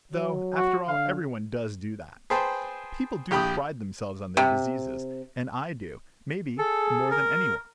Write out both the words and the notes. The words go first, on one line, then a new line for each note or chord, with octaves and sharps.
Though, after all, everyone does do that; people do pride themselves on their diseases, and I do, may be, more than anyone.
F#3
F#4
D3 F5
G#4 B4 C5 G5 A5
A#1 G4 G5 B5 D#6
C3
G#4 A4
A#4